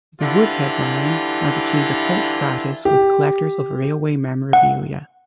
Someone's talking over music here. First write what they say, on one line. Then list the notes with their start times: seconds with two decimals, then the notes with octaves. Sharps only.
The Woodhead line has achieved a cult status with collectors of railway memorabilia.
0.21 D3 E3 G3 E4 F4
2.85 G4
4.53 F#5